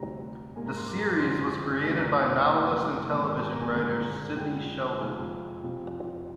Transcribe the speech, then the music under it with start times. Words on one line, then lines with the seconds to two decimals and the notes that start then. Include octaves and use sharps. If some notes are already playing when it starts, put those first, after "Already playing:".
The series was created by novelist and television writer Sidney Sheldon.
Already playing: D2 C3 G3 A#5
0.55 G#2 G3 A#3 G#5
0.66 A#5
0.77 C6
0.88 D6
0.99 A#5
1.03 C6
1.20 F2 D3 G#3 C4 C6
1.83 D2 D3 G3 D4 G#5
1.98 A#5
2.14 G5
2.30 F5
2.46 F1 D#2 D#3 G5
3.09 G#2 D#3 A#3 D4 G#5
3.41 G#5
3.51 A#5
3.61 G#5
3.71 G2 D3 G#3 C4 A#5
3.82 G#5
3.91 A#5
4.01 G#5
4.36 F2 D3 G#3 C4 G5
4.99 F2 C3 F3 G#3 G#5
5.63 F2 C3 F3 C4